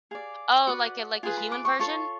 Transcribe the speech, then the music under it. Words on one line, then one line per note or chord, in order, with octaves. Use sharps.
Oh, like, a like, a human version?
G#4 D5 F5
F#4 B4 D5 F#5
F4 G#4 B4 G#5
B5
D6
C#6
F4 A4 C#5 C#6